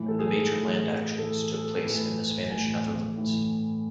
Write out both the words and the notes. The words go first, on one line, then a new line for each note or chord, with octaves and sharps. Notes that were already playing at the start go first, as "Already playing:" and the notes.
The major land actions took place in the Spanish Netherlands.
Already playing: A2 E3
A4
G#4
A2 E3
A2 E3 A4
A4
A2 E3 B4
A2 E3 G#5
A2 E3